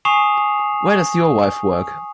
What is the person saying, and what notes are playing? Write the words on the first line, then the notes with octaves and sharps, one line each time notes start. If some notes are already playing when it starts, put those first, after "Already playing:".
Where does your wife work?
G#5 C#6 D#6 C7 E7 F7